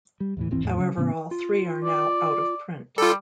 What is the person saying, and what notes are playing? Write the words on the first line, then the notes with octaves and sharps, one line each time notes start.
However, all three are now out of print.
G3
D#2 A2 E3
D#1 G#1 E3 C4
E2 A2
C#3 F#3
A2 C#3 B3
F4
D5
G3 F4 A4